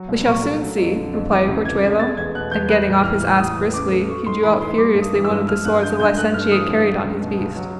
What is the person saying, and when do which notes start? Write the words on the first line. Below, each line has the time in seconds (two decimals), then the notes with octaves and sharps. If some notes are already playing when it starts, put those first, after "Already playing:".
"We shall soon see," replied Corchuelo, and getting off his ass briskly, he drew out furiously one of the swords the licentiate carried on his beast.
Already playing: F#3
0.08 C2
0.25 A#2 C#6
0.43 A3
0.61 F#3
0.78 F2
0.96 D3
1.13 F2
1.30 E3 D6
1.48 C#2
1.65 C3 G#6
1.82 A3
1.99 G#3 A6
2.17 E2 G#6
2.35 B2 F#6
2.51 E2 G6
2.69 G3 F#6
2.87 A2
3.04 E3 F6
3.21 A2
3.39 E3 D#6
3.56 E2
3.74 C#3 D6
3.92 A3
4.08 A3 C#6
4.26 G#2 C6
4.43 E3 B5
4.60 G#2 C6
4.78 G3 D6
4.95 G2
5.02 D#6
5.13 E3
5.25 E6
5.30 G2
5.47 F3 F6
5.65 G2 F#6
5.82 D3 G6
6.00 G2 G6
6.17 A3 F#6
6.34 G2 F6
6.51 E3 D#6
6.69 G2 D#6
6.87 F#3
7.03 C#2
7.22 B2
7.39 C#2
7.56 F#3